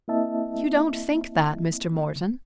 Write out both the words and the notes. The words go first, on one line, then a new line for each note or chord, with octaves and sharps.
"You don't think that, Mr. Morton."
A#3 C4 E4 D#5 E5 A5